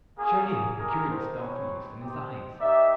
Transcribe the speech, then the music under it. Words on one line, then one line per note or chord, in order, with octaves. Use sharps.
Shirley had procured the stuff for use in his eyes.
A#3 C#4 F#4 G#4
G#4
A3 D4 G4 G#4 A#4
A#4 C5
G#3 C4 D#4 G4 B4 C#5
C4 D#4 G4
A#3 D#4 G4 D5 E5